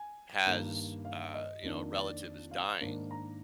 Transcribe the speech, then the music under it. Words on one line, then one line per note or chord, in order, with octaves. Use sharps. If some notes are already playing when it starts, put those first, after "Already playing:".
has, uh, you know, a relative is dying,
Already playing: G#5
G2 D#3 A#3
F5
D#5
F2 D#3 A#3 D4
D5
F5
G#2 D#3 A#3 D4
A#5